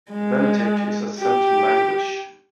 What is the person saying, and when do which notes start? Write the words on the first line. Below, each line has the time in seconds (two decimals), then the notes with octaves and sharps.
Venetic is a centum language.
0.10 G#3
1.19 G4